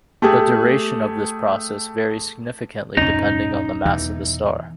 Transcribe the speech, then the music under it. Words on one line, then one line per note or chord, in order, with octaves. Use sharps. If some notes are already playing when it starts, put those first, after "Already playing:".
The duration of this process varies significantly depending on the mass of the star.
A3 G4 G#4
D#1 F#2 C#3 C4 C#4 D#4
E2 B2 E3